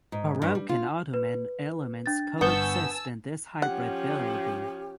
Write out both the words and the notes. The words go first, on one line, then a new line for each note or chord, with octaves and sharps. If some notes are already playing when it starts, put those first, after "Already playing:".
Baroque and Ottoman elements coexist in this hybrid building.
G#2
G2
G3
F4
B4
D4 A6
G1 B3 G#5 A5 C#6 E6 G6
F3 C#4 G4 F#5